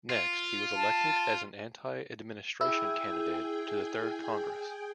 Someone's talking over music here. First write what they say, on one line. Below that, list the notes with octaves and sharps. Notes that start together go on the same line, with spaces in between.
Next, he was elected as an Anti-Administration candidate to the Third Congress.
F4
A5
E4 G#4 G5 G#5 E6